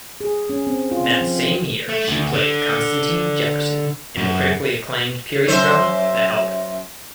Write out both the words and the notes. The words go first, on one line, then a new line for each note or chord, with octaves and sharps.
That same year she played Constantine Jefferson in the critically-acclaimed period drama "The Help".
G#4
C#4
C4
F4
C4
F3
A3
D2
D3
F#2
F#2 C5 E5